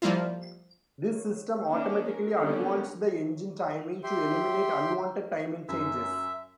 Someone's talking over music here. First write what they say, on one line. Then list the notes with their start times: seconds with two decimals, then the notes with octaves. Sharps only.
This system automatically advanced the engine timing to eliminate unwanted timing changes.
0.02 F3 G3 A#3 E4 F4
1.68 A#3 C#4 D4
2.09 A#4
2.40 D3 G3 A#3 B3 C#4 G4
4.04 G4 E5 G5 C6
5.69 F#2 E5